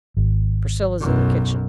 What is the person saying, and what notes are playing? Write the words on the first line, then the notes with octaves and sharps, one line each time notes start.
"Priscilla's in the kitchen."
G#1
B1 F#2